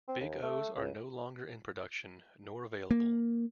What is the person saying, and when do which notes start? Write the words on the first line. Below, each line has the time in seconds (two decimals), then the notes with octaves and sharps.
Big O's are no longer in production nor available.
0.08 C4
0.20 D#2
0.43 A3
0.77 C#2
2.91 A#3